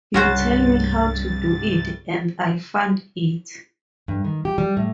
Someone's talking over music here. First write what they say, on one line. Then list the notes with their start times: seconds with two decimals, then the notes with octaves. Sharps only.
You tell me how to do it, and I'll fund it.
0.14 C2 G2 C#3 F#4 C5 A6
4.08 G2
4.25 D#3
4.45 G4
4.58 G3
4.77 A2